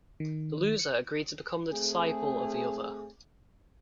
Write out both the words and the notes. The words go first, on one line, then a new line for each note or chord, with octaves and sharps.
The loser agreed to become the disciple of the other.
D#3
C#7
A3 C4 G#4